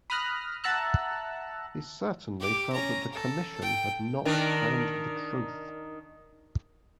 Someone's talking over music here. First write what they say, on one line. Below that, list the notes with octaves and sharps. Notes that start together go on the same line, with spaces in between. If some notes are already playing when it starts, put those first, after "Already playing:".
He certainly felt that the Commission had not found the truth.
B5 D#6 F6 F#6 A#6
E5 F#5 A5 A#5 E6 F#6
G4 D6
C#4 A#5
A4
G5
D#3 D4 A#4